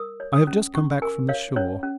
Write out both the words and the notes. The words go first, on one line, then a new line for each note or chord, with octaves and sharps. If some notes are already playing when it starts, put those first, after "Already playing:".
I have just come back from the shore.
Already playing: A#4 D#6
C#5
D#6
C#4
C#4 C#6
A#4 G#5
C#5 F5
C#4 C#5
C#4